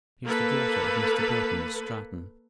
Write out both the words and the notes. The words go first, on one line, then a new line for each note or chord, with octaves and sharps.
"She is the daughter of Mr. Burton of Stratton."
A#3 A4 B4